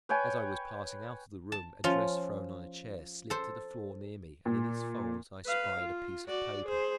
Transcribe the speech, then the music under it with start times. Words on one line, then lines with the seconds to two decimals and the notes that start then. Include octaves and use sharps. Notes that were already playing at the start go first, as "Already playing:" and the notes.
As I was passing out of the room, a dress thrown on a chair slipped to the floor near me, and in its folds I spied a piece of paper.
0.09 B4 C#5 G5 G#5
1.52 A5
1.84 F3 C#4 F4
3.30 A4 C5
4.46 A#2
5.46 B4 F5
5.81 F4
6.28 F#4 D5
6.65 G#4 C5